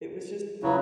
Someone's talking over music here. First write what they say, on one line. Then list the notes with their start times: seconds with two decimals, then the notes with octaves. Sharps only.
it was just
0.63 C#3 F#3 E4 F4 B4